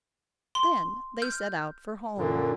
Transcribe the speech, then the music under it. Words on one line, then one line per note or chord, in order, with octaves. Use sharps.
Then they set out for home.
C6
F6 G6
F#2 A#2 D3